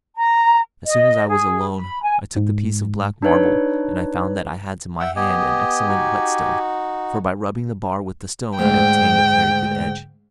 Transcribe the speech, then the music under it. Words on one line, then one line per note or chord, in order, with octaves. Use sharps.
As soon as I was alone, I took the piece of black marble, and I found that I had to my hand an excellent whetstone; for by rubbing the bar with the stone I obtained a very good edge.
A#5
D#5
G#4
B5
G#5
G#2
D4 D#4 B4 C#5
E5 F#5 G5
B3 G4 D#5 G#5
D#4 F#4
D2 G#2 G5